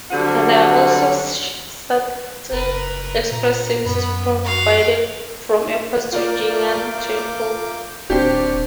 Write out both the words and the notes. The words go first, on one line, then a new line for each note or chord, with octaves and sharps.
There are also Shuttle Express Service provided from airports to Jing'an Temple.
D3 F#3 G3 C4 F#4 F#5
F#1 A#4 B4
A#2 A#5
F#2 B3 B5
F#4 F5
A#3 F4 A#4 D5 D6 G6
D#1 C4 D4 G4 D5 C#6 F6